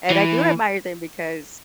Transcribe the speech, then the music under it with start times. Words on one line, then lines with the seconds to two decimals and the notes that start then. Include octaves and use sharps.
and I do admire them because
0.10 E3